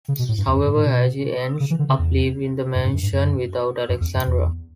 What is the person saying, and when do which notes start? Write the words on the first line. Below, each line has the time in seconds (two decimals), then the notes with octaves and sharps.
However, Agi ends up leaving the mansion without Alexandra.
0.08 C#3
0.19 B2
0.29 A2
0.38 G2
0.47 E2
0.56 F#2
0.66 G2
0.76 A2
0.85 B2
1.60 C#3
1.70 E3
1.79 D3
1.89 C#3
1.99 E2
2.75 F#2
2.85 G2
2.94 F#2
3.03 G2
3.13 F#2
3.89 F#2
4.01 E2
4.15 F#2
4.27 E2